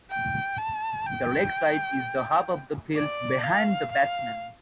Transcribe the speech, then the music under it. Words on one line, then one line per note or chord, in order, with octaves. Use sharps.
The leg side is the half of the field "behind" the batsman.
G5
A5
G5
D5
F5
F5